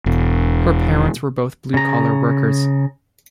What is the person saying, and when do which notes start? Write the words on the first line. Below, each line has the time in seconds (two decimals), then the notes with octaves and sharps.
Her parents were both blue collar workers.
0.06 E1
1.74 C#3 A#5